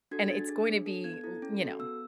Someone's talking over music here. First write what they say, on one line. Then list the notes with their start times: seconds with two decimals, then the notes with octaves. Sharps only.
and it's going to be u you know,
0.11 D4 F#4 A4 G#6
0.30 D4 A6
0.49 G#4
0.67 D4
0.86 A4
1.04 B3 G#6
1.24 E4 A4
1.42 C#4
1.61 F#4 A4
1.79 B3 E6